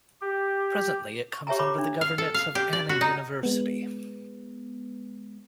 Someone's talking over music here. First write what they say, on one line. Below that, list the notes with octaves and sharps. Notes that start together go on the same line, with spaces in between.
Presently it comes under the governance of Anna University.
G4
C#6
G4 C#5 E5 G#5 A#5
C#5 B5 D6
D4
F5
A4
F5
G4
D5
F#4
D#4
G#3 B3